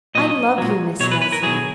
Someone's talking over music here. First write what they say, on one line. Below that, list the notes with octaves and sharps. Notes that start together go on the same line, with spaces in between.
I love you, Miss Leslie.
A#2 F#3 D#5
A#2 F#3
B2 F#3 C#5
B4
B4
A#4
B2 F#3 G#4